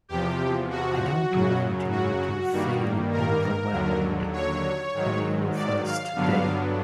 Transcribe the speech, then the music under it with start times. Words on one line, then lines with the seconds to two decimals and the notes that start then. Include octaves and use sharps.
I don't want you to feel overwhelmed on your first day.
0.09 E2 C3 F3 G4
0.70 F#4
1.30 F#2 C#3 F#3
1.91 F#4
2.52 G2 D#3 G3 A#3
3.12 A#4
3.72 D#2 D3 F#3
4.33 C#5
4.94 G#2 D#3 F#3
5.55 D5
5.85 F5
6.15 G2 D3 F#3 B3 D4